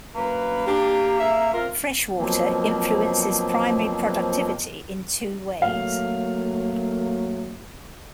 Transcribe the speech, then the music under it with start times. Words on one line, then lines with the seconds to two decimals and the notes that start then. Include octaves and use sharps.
Freshwater influences primary productivity in two ways.
0.15 F#2 A#3 B4
0.67 D4 G4
1.20 G#4 E5
1.53 C4 F4 A#4
2.17 B2 F3 F#3 A#3 C4
5.62 F#3 A3 A#3 F5